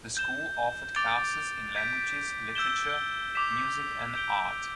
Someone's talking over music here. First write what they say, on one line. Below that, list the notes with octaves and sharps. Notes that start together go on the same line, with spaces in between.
The school offered classes in languages, literature, music and art.
G6 E7 G7
D6 A6 D7 G7
G6 B6 D7
E6 G6 E7 G7
D6 B6 E7
G6 D7 G7